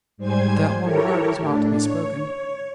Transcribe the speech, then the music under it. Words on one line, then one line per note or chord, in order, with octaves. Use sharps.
But that one word was not to be spoken.
G#2 G3 C5 G#5 G#6
E4 G4 A4 A#4 C#5
A2 D4
C#5